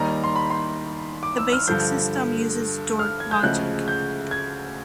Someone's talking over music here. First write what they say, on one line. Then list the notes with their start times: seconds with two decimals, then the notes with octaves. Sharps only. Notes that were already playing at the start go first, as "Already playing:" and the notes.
The basic system uses door logic.
Already playing: D#2 D#3 G3 A#5
0.24 C6
0.36 B5
0.50 C6
1.23 D6
1.38 E6
1.53 F6
1.67 G2 D3 F3 G6
2.99 F6
3.20 G#6
3.31 G6
3.43 D2 C#3 F3 G#3 F#6
3.88 G6
4.31 G#6